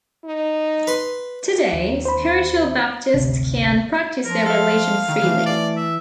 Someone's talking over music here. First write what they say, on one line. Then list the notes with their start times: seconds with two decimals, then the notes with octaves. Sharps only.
Today Spiritual Baptists can practise their religion freely.
0.24 D#4
0.87 B4 C6
1.73 D#2
2.05 C5 B5
3.14 G#1 D2 C3
4.24 F3 A#4
4.46 A4 E5 F5
5.08 D#3
5.21 E3 A3
5.46 D5
5.77 E5